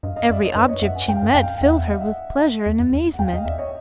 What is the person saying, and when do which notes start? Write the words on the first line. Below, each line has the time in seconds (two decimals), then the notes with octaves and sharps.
Every object she met filled her with pleasure and amazement.
0.03 G2 D#5 F5
0.16 D#5 F5
0.29 F#2 D5 E5
0.43 C#5 D#5
0.56 G2 B4 C#5
0.68 C#5 D#5
0.82 F#2 E5 F#5
0.95 F#5 G#5
1.08 G2 F5 G5
1.23 G2
1.34 F#2 F5 G5
1.61 E2 E5 F#5
1.74 E5 F#5
1.87 D#5 F5
2.01 E5 F#5
2.66 E2
2.80 F2
2.93 E2
3.14 F#5
3.19 F2 F5 G5
3.33 F2 D#5 F5
3.45 E2 D5 E5
3.58 C#5 D#5